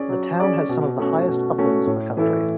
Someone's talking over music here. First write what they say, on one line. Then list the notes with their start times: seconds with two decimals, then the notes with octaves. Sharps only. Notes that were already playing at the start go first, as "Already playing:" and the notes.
The town has some of the highest uplands in the county.
Already playing: C#4 G#4 D5
0.09 F#3
0.40 C#4 G#4 D5
0.69 B2
0.99 A3 C#4 F#4
1.29 B2
1.58 A3 C#4 F#4
1.87 A2
2.17 E3 A3 E4 A4